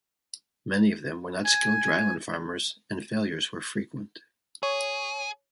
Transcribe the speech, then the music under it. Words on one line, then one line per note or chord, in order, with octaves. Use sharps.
Many of them were not skilled dryland farmers and failures were frequent.
G#5
G#4 C#5